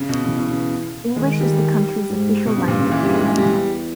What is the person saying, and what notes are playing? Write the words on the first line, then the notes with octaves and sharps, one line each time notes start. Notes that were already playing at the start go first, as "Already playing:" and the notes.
English is the country's official language.
Already playing: C#3
B2
C#3 E3
B2
C#3
D#3 G#3
G3
G#2
B2
G2 C#3
A#2
C#3
E3
G2 G3
G#3
G#3
G3
E2